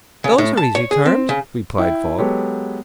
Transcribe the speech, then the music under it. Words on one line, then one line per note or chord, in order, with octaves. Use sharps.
"Those are easy terms," replied Falk.
C#3
A2
A5
C#5
G#4
C4
C#3
E4 G5
F#3 G#3 B3 G4 A4 C#5